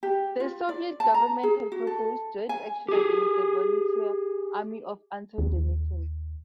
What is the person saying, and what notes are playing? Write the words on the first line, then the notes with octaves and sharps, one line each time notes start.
The Soviet government had proposed joint action against the Volunteer Army of Anton Denikin.
G4
F4
D5
A5
A#5
G#4
F#4
A4
G#5
G4 G#4
D#2